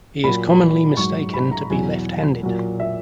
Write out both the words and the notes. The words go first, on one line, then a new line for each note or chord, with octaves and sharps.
He is commonly mistaken to be left-handed.
A#2 F#3 B5
G#2 F#3 C#6
B5
A#5
E2 B2 F#3 G#5
A#2 F#3
E5